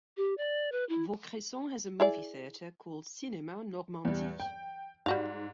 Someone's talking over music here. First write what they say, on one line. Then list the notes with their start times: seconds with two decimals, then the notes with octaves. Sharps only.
Vaucresson has a movie theatre called "Cinema Normandie".
0.17 G4
0.37 D5
0.72 B4
0.89 E4
2.00 E4 G#4 D5
4.05 E2 G3
4.40 G5
5.06 G#2 G3 F#4 F5